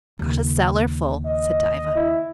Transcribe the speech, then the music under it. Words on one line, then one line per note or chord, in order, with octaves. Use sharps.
"Got a cellar-full," said Diva.
D#2 C#3
D#5
E4